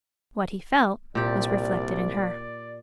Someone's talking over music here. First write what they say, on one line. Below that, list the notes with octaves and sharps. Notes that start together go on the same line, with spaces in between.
What he felt was reflected in her.
C2 A#2 G4 D5